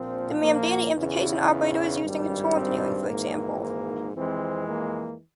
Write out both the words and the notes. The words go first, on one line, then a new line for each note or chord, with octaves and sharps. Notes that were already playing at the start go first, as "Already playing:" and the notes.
The “Mamdani Implication Operator” is used in control engineering, for example.
Already playing: A#1 A#2 F3 C4
A#3
E2 C#3 E3
G#1 G2 G3
C4
G#1 G#2 E3 A#3
A#3
F2 E3 G#3 C4
A#3